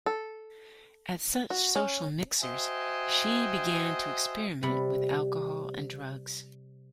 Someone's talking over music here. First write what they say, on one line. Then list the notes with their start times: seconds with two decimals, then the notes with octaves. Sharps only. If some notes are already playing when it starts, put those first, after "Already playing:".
At such social mixers, she began to experiment with alcohol and drugs.
0.06 A4
1.50 F#4
1.76 C#4
2.41 F#4 C5 D#5 E5 G5 G#5
4.63 C3 G3 B5